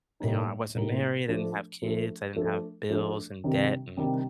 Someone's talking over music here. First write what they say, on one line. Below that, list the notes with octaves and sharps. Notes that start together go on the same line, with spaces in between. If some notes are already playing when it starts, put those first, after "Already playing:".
you know, I wasn't married, I didn't have kids, I didn't have bills, and debt, and
A2 G3 A#3 D#4
A2 G3 A#3 D#4
F3 A3 D4
F3 A3 D4
F3 A3 D4
F3 A3 D4
C3 D#3 G3 D4
C3 D#3 G3 D4